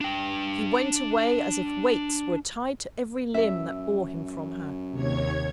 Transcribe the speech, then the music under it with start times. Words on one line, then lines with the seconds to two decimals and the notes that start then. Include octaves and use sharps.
He went away as if weights were tied to every limb that bore him from her.
0.01 D4 G5
3.34 F#2 E5
4.91 D#2 C3 C#5 G#6